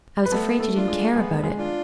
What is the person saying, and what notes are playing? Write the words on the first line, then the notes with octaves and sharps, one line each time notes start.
"I was afraid you didn't care about it."
B4
A3 B3 A4
A3 A4
D4 F4
G#3 G#4
G#3 B3 G#4
G#3 G#4
D4 F4